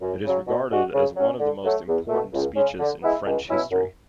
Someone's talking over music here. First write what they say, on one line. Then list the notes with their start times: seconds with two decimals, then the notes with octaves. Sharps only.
It is regarded as one of the most important speeches in French history.
0.01 F#2
0.24 C#3 F#3
0.47 B2
0.70 G#3 D4 F#4
0.93 C#3
1.16 F#3 C#4
1.39 D3
1.64 F#3 A3
1.87 E2
2.09 B2 A3
2.33 C#2
2.55 C#3 G#3 C#4
2.79 D3
3.02 G#3 B3 E4
3.25 C#2
3.49 B2 F#3 C#4 E4
3.71 F#2